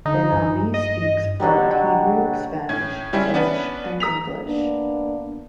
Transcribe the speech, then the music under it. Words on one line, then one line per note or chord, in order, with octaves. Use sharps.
Ben-Ami speaks fluent Hebrew, Spanish, French and English.
D3 D#4
G2
D#5
B2 D3 F#3 G3
A2 C#4 G#6
C#3 G3 G#3 C#4 E4
B3 C#4 D4 B4
A#5 D#6 B6 F7
A#3 B3 D4